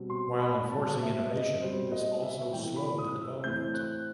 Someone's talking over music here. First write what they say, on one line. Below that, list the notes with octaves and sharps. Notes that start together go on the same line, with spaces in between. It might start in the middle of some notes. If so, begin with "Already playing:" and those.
While enforcing innovation, this also slowed the development.
Already playing: B2 G3 C4
C6
B5
B2 G3 C4 A5
E5
D#5
B2 G3 C4 C5
D#5
E5
A2 E3 A3 C4 G5
B5
D#6
E6
A2 E3 A3 C4 G6
F#6